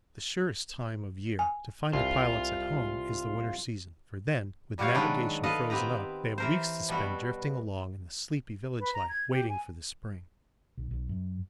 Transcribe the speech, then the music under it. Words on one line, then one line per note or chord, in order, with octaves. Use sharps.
The surest time of year to find the pilots at home is the winter season; for then, with navigation frozen up, they have weeks to spend drifting along in the sleepy village life, waiting for the spring.
G#5
C2 F4
A#2 G3 F#4 G4 C#5 F5
D#3 F#3 G#3 B3 D4 B4
A4 B4 D#5 F5
B3 C4 G4 B4 A#5
E3 A#4 C5
B2 G3 B3 F#4
B4
A#5
G#6
G4
G#5
B1
B1
F#2